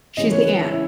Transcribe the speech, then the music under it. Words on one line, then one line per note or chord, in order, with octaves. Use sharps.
She's the aunt.
C#3 E3 G#3 C#4 D#5
C#5
B4
E4
C#4 E4